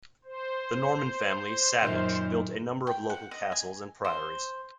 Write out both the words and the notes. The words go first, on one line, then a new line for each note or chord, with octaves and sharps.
The Norman family Savage built a number of local castles and priories.
C5
F#2 A#2 D#3
G5
F#5
D#5
G#5
C5